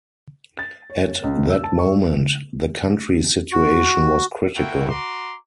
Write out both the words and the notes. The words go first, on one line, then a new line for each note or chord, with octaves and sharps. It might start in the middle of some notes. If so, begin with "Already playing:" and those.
At that moment, the country situation was critical.
A6
C#5
C#2
E6
A5
C#6
F#4
A#3 E4 F#4 A4 G5
F#4 A#5 C6 D6